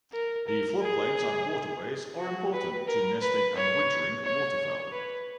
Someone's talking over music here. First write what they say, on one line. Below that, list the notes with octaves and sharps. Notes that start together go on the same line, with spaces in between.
The floodplains and waterways are important to nesting and wintering waterfowl.
A#4
A#4
G#4
F#4
B4
A#4
B4
C#5
C#5
B4